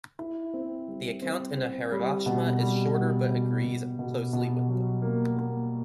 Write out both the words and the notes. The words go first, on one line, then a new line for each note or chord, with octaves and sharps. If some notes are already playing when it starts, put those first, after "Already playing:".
The account in the "Harivamsha" is shorter but agrees closely with them.
E4
C4
G3
C4
C4
G3
B2
G3
B2
B2
B2
B2
B2
F#3
A#3
A#3